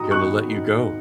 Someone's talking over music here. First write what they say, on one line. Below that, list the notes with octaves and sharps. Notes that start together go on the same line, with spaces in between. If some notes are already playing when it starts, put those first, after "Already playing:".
gonna let you go,
Already playing: G#2 D#3 F#4 A#5 D#6
C#6 F#6